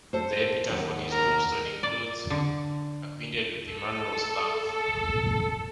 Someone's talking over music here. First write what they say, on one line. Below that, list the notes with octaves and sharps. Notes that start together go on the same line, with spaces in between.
The epitaph on his tombstone includes 'Acquainted with Emmanuel's Love'.
A4 C5
D#2 F#5
A#4
D5
D3
A4
A4